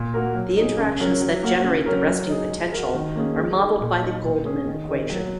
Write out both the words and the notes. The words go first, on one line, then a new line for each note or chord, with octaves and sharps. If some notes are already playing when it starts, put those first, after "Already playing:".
The interactions that generate the resting potential are modeled by the Goldman equation.
Already playing: A#2
A#3 F#4 A#4
F#3
D#4 G#4
C#3
F#3 C#4 A#4
F#3
A#3 F#4 A#4
C#3
F#3 C#4 A#4
F#3
D#4 G#4
G#3
F#4 A#4
D#3
A#3 C#4 G#4
G#3
D#4 G#4
A#2
F#3 D#4
A#2
G#3 C#4 G#4
D#3
G#3 D#4 A#4
F#3